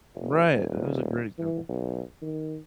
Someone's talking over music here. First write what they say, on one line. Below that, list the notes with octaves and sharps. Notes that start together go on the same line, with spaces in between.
Right, that was a great example.
F1
D#1
E3
B1
D#3